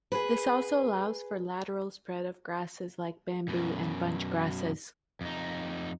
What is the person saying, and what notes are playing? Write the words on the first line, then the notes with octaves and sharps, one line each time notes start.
This also allows for lateral spread of grasses like bamboo and bunch grasses.
G#4 B4
F#2 B2
F2 D#4